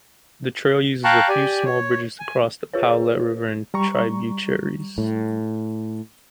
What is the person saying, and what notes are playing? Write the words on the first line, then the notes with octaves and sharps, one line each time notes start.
The trail uses a few small bridges to cross the Powlett River and tributaries.
F5 G5 A5 A#5 C#6 F#6
G4 D5 G#5
C#5
G#5
F4 G#4 B4 C#5
G3 A#5 C#6
A2